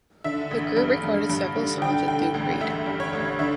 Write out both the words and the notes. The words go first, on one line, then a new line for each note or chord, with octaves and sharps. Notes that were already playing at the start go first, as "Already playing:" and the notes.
The group recorded several songs with Duke Reid.
D3 E5
A1
G2
G2
G2
D3
D3 G5
D3 G5
A1
A1 E5
G2
C#5
A1
D3 E5